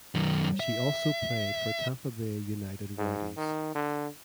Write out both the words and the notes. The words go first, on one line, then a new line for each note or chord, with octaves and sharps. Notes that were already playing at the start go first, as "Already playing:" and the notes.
She also played for Tampa Bay United Rowdies.
F#2 D#3
E5
G#2
D#3
D3